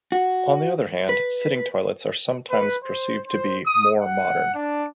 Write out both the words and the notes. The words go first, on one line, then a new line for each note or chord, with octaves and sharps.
On the other hand, sitting toilets are sometimes perceived to be "more modern".
F#4
B4
B4
C5
C5
D#6
F#5
D4